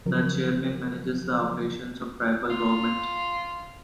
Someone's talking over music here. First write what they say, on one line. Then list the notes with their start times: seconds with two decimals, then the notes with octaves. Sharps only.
The chairman manages the operations of tribal government.
0.06 C#3 F3 F#3 A#4
2.50 F4